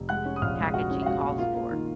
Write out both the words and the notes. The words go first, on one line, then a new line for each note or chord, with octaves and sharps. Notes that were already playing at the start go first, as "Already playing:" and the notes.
packaging calls for.
Already playing: F1
G#3 F#5 F#6
C#4
D#6
A#1 F5 F6
G#3
G#3 F#4 F#5
C#4
F5
G#3 F#4 F#5
A#2
A#3 F4 F5
A#3
D#3